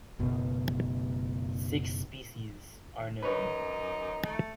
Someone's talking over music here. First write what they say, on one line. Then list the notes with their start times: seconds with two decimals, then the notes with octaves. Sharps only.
Six species are known.
0.19 F#1 F#2 B2 B3
3.23 F#2 D#4 B4 C#5
4.24 A3